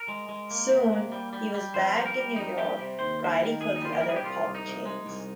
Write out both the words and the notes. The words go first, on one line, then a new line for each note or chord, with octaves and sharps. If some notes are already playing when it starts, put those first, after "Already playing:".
Soon, he was back in New York, writing for the other pulp chains.
Already playing: A#4
G#3
G#3
A#3
C3
A#3
G3
G3
G3
F2 C5
G3
A#4
G3
F2 D#4
G3 G4
C3
D#2 C5
G3
C5
A#4
D#3
D#2 G#4
D#4
G3 F4
G4
G3 A#4
G#4
G4
C2 F4
C2
D#4
C2
G#3
C2